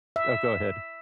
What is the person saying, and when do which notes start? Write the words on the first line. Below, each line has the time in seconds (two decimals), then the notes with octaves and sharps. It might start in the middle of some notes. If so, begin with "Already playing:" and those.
Oh, go ahead.
0.16 E5